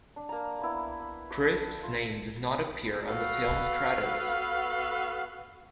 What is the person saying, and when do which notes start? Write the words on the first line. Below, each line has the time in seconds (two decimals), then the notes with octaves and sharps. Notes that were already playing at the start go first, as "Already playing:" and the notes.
Crisp's name does not appear on the films credits.
0.16 D4
0.29 A#3 A#5
0.59 A#3 B3 E4
1.00 B5
1.46 A5
1.83 F4
3.08 B3 F#4 A4 B4 F5